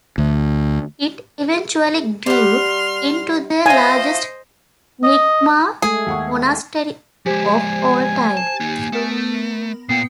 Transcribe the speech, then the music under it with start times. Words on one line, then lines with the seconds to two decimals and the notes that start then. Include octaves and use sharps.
It eventually grew into the largest Nyingma monastery of all time.
0.18 D2
2.26 G3 F#5 C6 F6
3.66 A3 F4 C5 D#5 G#5
5.04 D#5
5.82 G#3 A3 G#4
6.07 D#2 F#5 C#6
7.26 F3 G#3 G4 C5 G#5
8.37 A5
8.60 A#3 D#4
8.92 A3 B3 A#4
9.89 A#2 B3 F4 G5 C7 C#7